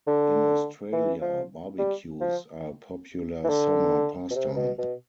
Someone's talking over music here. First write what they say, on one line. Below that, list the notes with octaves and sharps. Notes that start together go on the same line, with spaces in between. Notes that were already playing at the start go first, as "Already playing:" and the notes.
In Australia, barbecues are a popular summer pastime.
D3
E3
F3
G3
F3
E3
D3
B2
C3
B2
B2